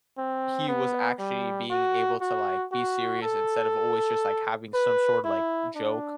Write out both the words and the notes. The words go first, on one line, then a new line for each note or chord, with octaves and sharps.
he was actually being able to, like, be serious instead of always just, like, having some sort of, like, joke.
C4
B3
G3
F#4
F#4
F#4
A4
B4
E4
D4